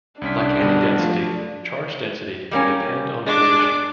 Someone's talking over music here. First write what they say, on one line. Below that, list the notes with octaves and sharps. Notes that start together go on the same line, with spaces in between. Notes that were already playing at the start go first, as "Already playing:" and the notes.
Like any density, charge density can depend on position.
C2 C#4 D4 B6
G2 B2 G3
F3 A3 F5
G3 A#3 C#4
G#3 D4 D6